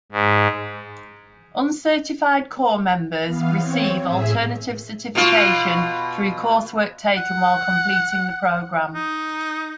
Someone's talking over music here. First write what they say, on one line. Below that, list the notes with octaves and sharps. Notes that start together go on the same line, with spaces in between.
Uncertified corps members receive alternative certification through coursework taken while completing the program.
G#2
E3 B3 F5
C4 C#5
A2 G#4 E5
B2 F4
F#5
D#4